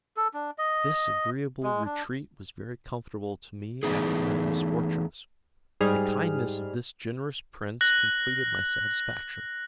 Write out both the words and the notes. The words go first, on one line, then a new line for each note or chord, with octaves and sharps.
This agreeable retreat was very comfortable to me after my misfortunes, and the kindness of this generous prince completed my satisfaction.
A4
D4
D#5
G#3
D4
E3 A3 B3 D#4 G#4
G#2 G3 G#4 F6
F#6 A#6 F#7